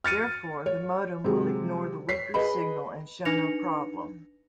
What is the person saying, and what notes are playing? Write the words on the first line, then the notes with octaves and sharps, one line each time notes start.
Therefore, the modem will ignore the weaker signal and show no problem.
F6 A6 C#7 D#7
C#5
C3 F#3 G#3
C#5 B6 C7
G#4 B4 D#5 B5
D4 D#4 B4 A#6 C#7 F7